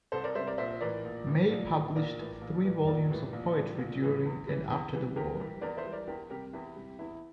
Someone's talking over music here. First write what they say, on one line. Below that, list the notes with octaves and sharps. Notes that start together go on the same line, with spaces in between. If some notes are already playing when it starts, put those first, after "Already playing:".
May published three volumes of poetry during and after the war.
C2 A4 C5
A#4 D5
C3 G3 C5 E5
A#4 D5
A#1 C5 E5
A2 E3 A#4 D5
A#1
A2 E3
A#1
A2 E3
A#1 A#4 D5
A2 E3
A#1
A2 E3 G3
A#1 A#4 D5
A2 E3 G3
A#1
A2 E3 G3
A#1
A2 E3 G3
E2
E3 G3
E2
E3 G3
E2 G4 A#4
E3 G3
E2 A#4 D5
C5 E5
E3 G3
A#4 D5
E2 G4 A#4
C3 G3 G4 A#4
E2 E4 G4
C3 G3
E2 E4